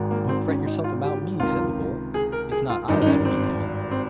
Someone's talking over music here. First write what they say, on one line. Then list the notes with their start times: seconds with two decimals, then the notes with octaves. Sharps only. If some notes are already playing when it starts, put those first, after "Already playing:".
"Don't fret yourself about me," said the bull, "it's not I that'll be killed!"
Already playing: G#1 G#2 D#3
0.11 A#3
0.29 C4
0.48 C#4
0.66 D#4
0.84 F4
1.04 G4
1.40 C#2 C3 D#3 F4
2.14 G#4
2.32 A#4
2.52 G#4
2.70 F4
2.88 G#1 G2 D#3 D#4
3.02 D#4
3.06 C#4
3.25 C4
3.91 C4